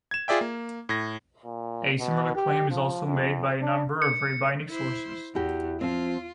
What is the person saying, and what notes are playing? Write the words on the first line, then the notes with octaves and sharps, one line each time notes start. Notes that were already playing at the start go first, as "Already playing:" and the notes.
A similar claim is also made by a number of Rabbinic sources.
G#6 E7
F4 G#4 D5 E5 G5
A#3
A2 G#6 A#6
A#2
B2
G4
F3
F2
D4
C#7
E4 C5
E2 E4 F#4 G4
F3 C4 F4